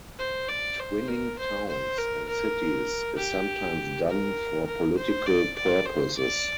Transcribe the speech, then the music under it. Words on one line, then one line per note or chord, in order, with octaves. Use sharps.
Twinning towns and cities is sometimes done for political purposes.
C5
D5
C5
A#4
C5
C5
A#4
A#4
G4
A#4
A#4
C5
D5
D5
C5
D5